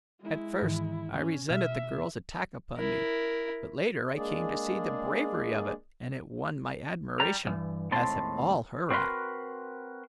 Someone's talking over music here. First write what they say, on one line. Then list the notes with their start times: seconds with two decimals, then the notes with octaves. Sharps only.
At first I resented the girl's attack upon me, but later I came to see the bravery of it and it won my admiration, as have all her acts.
0.21 G#3 E4
0.62 G#2 D#3 E3
1.15 C#4
1.49 B2 E5 F6
2.77 E4 A#4
4.16 G#3 A#3 D4 G#4 D5
7.20 G3 A#5
7.45 B1 G2 E3
7.91 D#2 A2 G#3 C4 A5 C6
8.90 C4 F#4 A#4 B4 C6